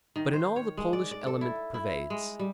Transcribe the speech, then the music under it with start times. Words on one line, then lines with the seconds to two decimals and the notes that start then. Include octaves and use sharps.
But in all the Polish element pervades.
0.16 D#3
0.33 C5
0.56 C#5
0.77 G#3
0.93 D5
1.11 D5
1.27 A4
1.41 E4
1.74 E4
2.10 G#3
2.39 G3